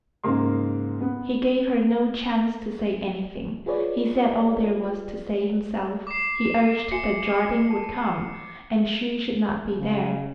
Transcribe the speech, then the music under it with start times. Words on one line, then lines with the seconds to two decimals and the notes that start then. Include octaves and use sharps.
He gave her no chance to say anything; he said all there was to say himself; he urged that Jardine would come, and she should not be there.
0.24 G#2 C#3 A#3 A#4 C6
1.01 B3
3.66 F4 G#4 B4 C#5 D5
6.07 D6 C7
6.92 F#4 E5 G#5 C#7
7.70 F4 A5
9.78 C#3